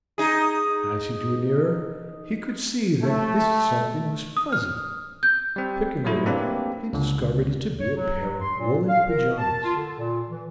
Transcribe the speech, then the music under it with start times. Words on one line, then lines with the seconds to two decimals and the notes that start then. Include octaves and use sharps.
As he drew nearer, he could see that this something was fuzzy. Picking it up, he discovered it to be a pair of woolen pajamas.
0.18 D#4 G#4
3.02 A3
4.37 D#6
4.52 F6
5.23 G6
5.56 G3 C4
6.05 F#3 G3 A3 E4
6.26 A#3 C4 D4 G4 B4
6.93 C#2 D3
7.79 C#5
7.96 F#3
8.41 C6
8.58 A#2
8.88 F5
9.09 A#4
9.38 A5
9.64 F4
9.76 D3
9.98 A#2
10.29 E3